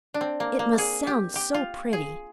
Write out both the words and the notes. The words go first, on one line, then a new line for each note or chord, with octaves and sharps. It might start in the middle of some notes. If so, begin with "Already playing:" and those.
"It must sound so pretty!"
D4
C4
A#3
A#3
G#4
G4
G4
F4
G#4